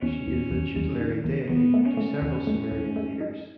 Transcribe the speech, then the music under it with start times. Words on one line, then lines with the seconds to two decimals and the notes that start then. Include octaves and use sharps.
She is the tutelary deity to several Sumerian leaders.
0.02 E2 C#4
0.27 E2
0.51 E2
0.76 E2
1.00 D#3
1.24 E2
1.49 E2 B3
1.74 A3
1.86 C#4
1.98 A3
2.22 E2
2.47 A3
2.72 E2
2.96 A3
3.21 D#4